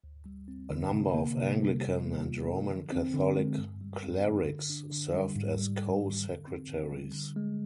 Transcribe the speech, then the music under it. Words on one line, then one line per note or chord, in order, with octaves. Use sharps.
A number of Anglican and Roman Catholic clerics served as co-secretaries.
D2
G3
C4
D3
C3
A#3
C3
G3
C3
A#3
F4
F3
D3
C4
D3
G#3
G2
G3
C4
D3
D3
D4
D3
G3
G#2
G3
G#2
D#3
D3
C4
D3
G3
D3
G#3